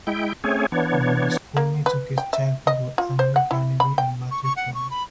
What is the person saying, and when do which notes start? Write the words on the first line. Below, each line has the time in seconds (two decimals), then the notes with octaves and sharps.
Among the schoolmates of his childhood were Andrew Carnegie and Matthew Quay.
0.07 G#3 E4 G5
0.44 A3 C4 C#4 G#4 C#5
0.72 E3 B3 D4 C#5
1.57 A#3
1.86 B4
2.18 G5
2.33 E5
2.67 D#5
2.98 F4
3.19 C5
3.36 F#5
3.51 E4
3.80 B5
3.98 G5
4.31 C#6
4.43 C#6
4.56 F#5
4.75 C#6
4.90 B5